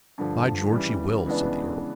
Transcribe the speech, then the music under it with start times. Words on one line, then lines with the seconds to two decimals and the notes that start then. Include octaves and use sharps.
"By George, he will," said the earl.
0.18 G2 D3 F3
0.72 C#3 E3 G3
1.26 C#3 E3 G#3 B3 D4